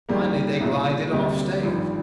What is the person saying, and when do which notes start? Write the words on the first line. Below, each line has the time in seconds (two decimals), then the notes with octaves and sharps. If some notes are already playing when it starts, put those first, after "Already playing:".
Finally they glided off stage.
0.09 G#1 G#2 G3 A#3
0.60 C2 A#2 G#3
1.12 D2 C3 G3 A#3
1.63 G#1 G2 F3